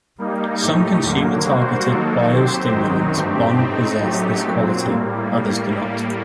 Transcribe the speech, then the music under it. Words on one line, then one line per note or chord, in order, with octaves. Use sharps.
Some consumer-targeted biostimulants bond possess this quality, others do not.
G3 A#3 D#4
A2 A3 D#4 G4
D#2 D3 F#3 A#3
G3 A#3 F#4 C5
D#3 F#3 A#3 D#4 A4
F#3 C4 G4 C5
F#2 D#3 F#3 C4 D#4
G2 D3 A3 C4 G4
A2 A3 C4 D#4
F#2 F#3 A3 D#4 G4
A#2 F#3 C4
A2 G3 A#3